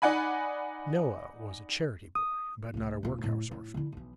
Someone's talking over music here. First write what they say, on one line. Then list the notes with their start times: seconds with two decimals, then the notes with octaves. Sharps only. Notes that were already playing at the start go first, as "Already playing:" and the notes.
Noah was a charity-boy, but not a workhouse orphan.
0.02 D#4 D5 F#5 G#5 B5
2.15 D#6
2.74 C2 A3
3.03 D#1 F4
3.24 A2 A3
3.51 A2
3.74 D3 E4
3.92 B1 E3